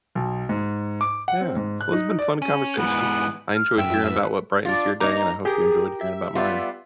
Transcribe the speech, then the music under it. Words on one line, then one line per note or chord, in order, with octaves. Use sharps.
Yeah. Well, it's been fun conversation. I enjoyed hearing about what brightens your day, and I hope you enjoyed hearing about mine.
B1
G#2
D6
F#5
C4
G#2
F#6
D#4
D5
C#4
G#2 E3 B3
F6
F#2 E5 G5 E6
B4
D4 F4
A#3 D#4 A#5
G4 G#4 A#4
E5
G3 B3 F4